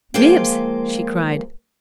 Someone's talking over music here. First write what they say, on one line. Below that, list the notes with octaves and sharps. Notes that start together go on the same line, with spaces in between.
"Bibbs!" she cried.
F3 G#3 A#3 F4 F5 G5